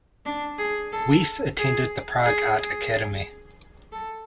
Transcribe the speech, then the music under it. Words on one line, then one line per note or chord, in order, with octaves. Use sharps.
Weiss attended the Prague Art Academy.
D4
G#4
A4
G#4
G#4
G#4
A4